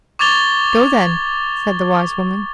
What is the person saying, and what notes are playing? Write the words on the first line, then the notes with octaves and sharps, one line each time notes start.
"Go, then," said the wise woman.
C#6 D6 G#6 A6 F7 G7